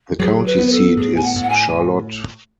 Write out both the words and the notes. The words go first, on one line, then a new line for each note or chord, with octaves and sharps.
The county seat is Charlotte.
F#3 G#4
B4
B3
B4
A4
A2 G#4
G#5
F#5
A2 F#5
G#5